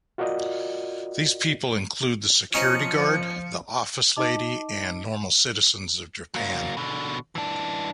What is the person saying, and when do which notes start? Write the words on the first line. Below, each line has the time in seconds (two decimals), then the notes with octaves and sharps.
These people include the security guard, the office lady, and normal citizens of Japan.
0.18 F4 F#4 A#4 D5 D#5
2.54 F3 C#4 D#4 C#7
4.16 D#4 D#5 A5 D6
6.34 F#3 A#3
6.77 B2 D3
7.35 E3 D4